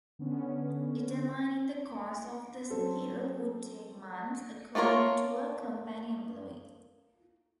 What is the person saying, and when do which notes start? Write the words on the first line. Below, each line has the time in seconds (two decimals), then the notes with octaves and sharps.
Determining the cause of the spill would take months, according to a company employee.
0.19 D3 B3 C#4
2.70 F#3 C4 C#4 A4 C5
4.75 A3 A#3 F4 A#4 C#5